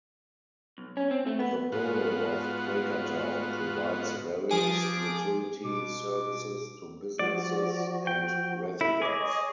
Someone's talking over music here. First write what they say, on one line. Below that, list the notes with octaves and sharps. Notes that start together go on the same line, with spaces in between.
The borough of Quakertown provides various utility services to businesses and residents.
B1
C#4
C4
A3
B3
G#2 B3 F4 F#4
F3 G#4 D6
B2 D6
F3 F#4 D5
G5
E4
G#4 C#5 D#5 D6